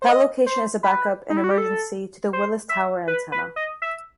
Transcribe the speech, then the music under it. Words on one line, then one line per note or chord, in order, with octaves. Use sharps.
That location is a back-up, in emergency, to the Willis Tower antenna.
C5
D#5
C5
B4
D#4
E4
F#4
G4
A4
C5
E5
B4
B4
D#5
E5